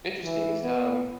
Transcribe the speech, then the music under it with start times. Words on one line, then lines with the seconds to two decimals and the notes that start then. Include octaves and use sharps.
Interesting, is, um,
0.24 E3
0.62 B3